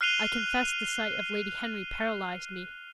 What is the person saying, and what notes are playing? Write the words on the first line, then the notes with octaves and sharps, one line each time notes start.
I confess the sight of Lady Henry paralyzed me.
F6 F#6 C7 D#7 F7 G7